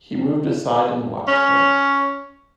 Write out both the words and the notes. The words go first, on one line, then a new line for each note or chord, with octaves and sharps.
He moved aside and watched her.
C#4